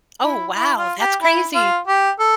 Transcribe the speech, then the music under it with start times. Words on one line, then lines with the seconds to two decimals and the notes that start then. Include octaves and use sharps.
Oh, wow, that's crazy.
0.24 E4
0.57 E4
0.78 F4
1.00 G4
1.22 E4
1.55 F4
1.87 G4
2.20 A4